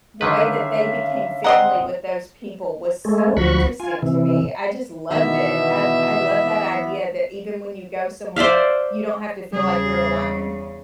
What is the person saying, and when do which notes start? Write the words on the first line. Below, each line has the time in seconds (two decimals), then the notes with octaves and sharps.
the way that they became family with those people was so interesting to me, I just loved it, I I love that idea that even when you go somewhere, you don't have to feel like you're alone.
0.21 D3 D#3 C#4 B4 E5 F5
1.44 C4 D#5 F#5 A#5 C6 D#6
3.05 G#3 A3
3.37 D2 F3 F#4 B5 C#6
3.80 F4 G#5
4.02 C3 E3
5.11 B2 D#3 E3 B3 E5
8.36 C5 D5 E5 F5
9.53 E2 C#3 G3 G#4